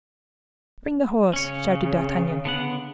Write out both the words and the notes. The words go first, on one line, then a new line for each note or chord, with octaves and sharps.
"Bring the horse!" shouted D'Artagnan.
C#3 C#4 C#5
D3 B3 F#5